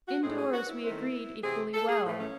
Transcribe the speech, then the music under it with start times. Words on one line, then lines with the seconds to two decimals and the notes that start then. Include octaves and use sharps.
Indoors we agreed equally well.
0.08 F#4
0.23 A2 G#3 C4 G#4
0.38 G#4
0.54 F#4
0.68 E4
0.84 D#3 A3 C4
1.43 C3 E3 C4 G#4
1.74 A4
1.89 G#4
2.04 A2 E3 A3
2.20 C#4